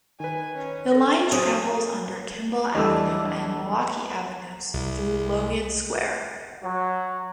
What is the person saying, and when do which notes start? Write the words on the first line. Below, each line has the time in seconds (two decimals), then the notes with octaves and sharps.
The line travels under Kimball Avenue and Milwaukee Avenues through Logan Square.
0.20 D#3 B4 G#5
0.55 C#4
0.92 C4 A4 A#6
1.32 F#3 G#4 C5 C#5
2.75 E2 G3 A3 D4 D#5 E6
4.74 C2
6.63 F#3